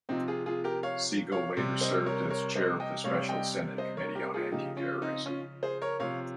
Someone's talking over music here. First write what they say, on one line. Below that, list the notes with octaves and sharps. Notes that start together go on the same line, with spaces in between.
Segal later served as Chair of the Special Senate Committee on Anti-Terrorism.
C3 F3 C4 D#4
F4 G#4
F4 G#4
G4 A#4
C#5 F5
C#5 F5
C3 G3
C5 D#5
A#4 C#5
A#4 C#5
C5 D#5
D#5 G5
C3 G3 C#5 F5
D#5 G5
C5 D#5
A#4 C#5
G4 A#4
F4 G#4
C#3 F3 D#4 G4
C#4 F4
C4 D#4
C#4 F4
G#4 C5
A#4 C#5
C3 F3 C#5 F5